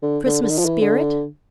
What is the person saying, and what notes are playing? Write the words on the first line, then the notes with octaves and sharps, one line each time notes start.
Christmas spirit?
D3
D3
D3
D#3
F3
E3
D3